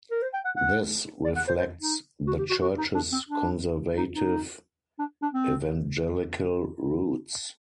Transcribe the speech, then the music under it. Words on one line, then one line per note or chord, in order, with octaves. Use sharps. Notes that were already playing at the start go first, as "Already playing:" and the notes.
This reflects the church's conservative Evangelical roots.
A#4
C5
G5
F#5
F#5
D5
F#5
C5
C5
D#4
F#4
G4
F#4
F#4
D#4
D4
C4
D4
D#4
D#4
D4
D4
C4